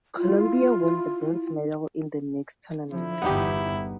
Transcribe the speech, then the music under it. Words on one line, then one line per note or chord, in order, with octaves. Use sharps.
Colombia won the bronze medal in the mixed tournament.
E4 F4
D3 F3 E4
G1 E2 B3 D#4 G4